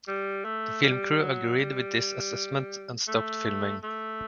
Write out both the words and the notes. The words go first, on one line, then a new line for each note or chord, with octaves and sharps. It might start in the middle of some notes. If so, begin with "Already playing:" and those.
The film crew agreed with this assessment and stopped filming.
G3
A3
G3
F#3
G3
A3
A3